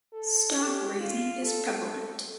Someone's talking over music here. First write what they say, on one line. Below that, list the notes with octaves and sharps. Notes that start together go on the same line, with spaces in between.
Stock raising is prevalent.
A4
G4
F4
A4